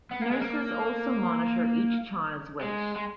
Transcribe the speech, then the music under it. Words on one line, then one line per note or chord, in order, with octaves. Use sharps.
Nurses also monitor each child's weight.
B3
A#3
G#3
A#3
G#3
G#3